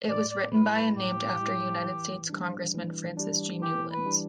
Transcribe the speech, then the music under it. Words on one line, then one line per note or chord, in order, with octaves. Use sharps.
It was written by and named after United States Congressman Francis G. Newlands.
A2 D5
D5
G3 E4 B4
B4
A2 G4
G3 E4
E3
G3 D4
E3
G3 D4
E3 G4
B4
G3 D4